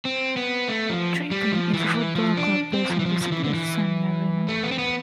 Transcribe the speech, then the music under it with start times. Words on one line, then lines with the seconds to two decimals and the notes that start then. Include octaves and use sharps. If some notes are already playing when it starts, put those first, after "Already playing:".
Tre Penne is a football club based in the City of San Marino.
0.05 C4
0.37 B3
0.68 A3
0.90 F3
1.31 G3
1.52 F3
1.74 E3
1.94 E3
2.15 F3
2.37 D4
2.73 C4
2.90 F3
2.99 E3
3.05 F3
3.21 F3
3.32 E3
3.44 D3
3.54 E3
4.48 A3
4.63 B3
4.72 C4
4.79 B3